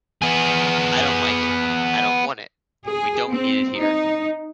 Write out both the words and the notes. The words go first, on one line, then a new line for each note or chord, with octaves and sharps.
I don't like it, I don't want it, and we don't need it here.
B3 G#4
G#4
C4
D#4